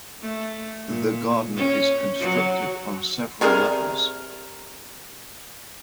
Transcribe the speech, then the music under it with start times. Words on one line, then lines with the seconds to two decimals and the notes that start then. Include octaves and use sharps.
The garden is constructed on several levels.
0.22 A3
0.87 A#2
1.56 C#4
2.20 F#3
3.41 C3 G3 G#4 A#4